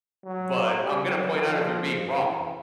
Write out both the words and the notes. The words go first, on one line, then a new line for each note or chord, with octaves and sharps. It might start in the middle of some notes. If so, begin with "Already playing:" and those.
but I'm gonna point out if you're being wrong,"
F#3
G3
F#3
F3
E3